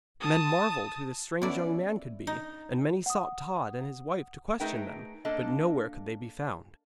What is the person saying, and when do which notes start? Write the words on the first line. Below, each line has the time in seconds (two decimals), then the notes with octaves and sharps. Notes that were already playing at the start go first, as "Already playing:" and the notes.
Men marvelled who the strange young man could be, and many sought Tod and his wife to question them, but nowhere could they be found.
0.21 A5 D#6
1.42 B3 C#4 E4 A4 D5
2.27 D#4
3.06 F#5 D#6
4.60 A3 D#4 G#4 A#4 B4 G5
5.25 A#3 D4 A4 D#5